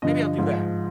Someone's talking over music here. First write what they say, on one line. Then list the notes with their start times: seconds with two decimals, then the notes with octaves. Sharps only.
Maybe I'll do that.
0.02 G2 D3 F3 D#5
0.38 G#2 F3